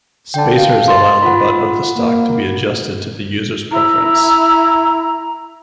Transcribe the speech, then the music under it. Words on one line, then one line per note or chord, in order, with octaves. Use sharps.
Spacers allow the butt of the stock to be adjusted to the user's preference.
D3 G5 A5
F5
C6 A6
F4 F#5 B5
A#3
E4 A#5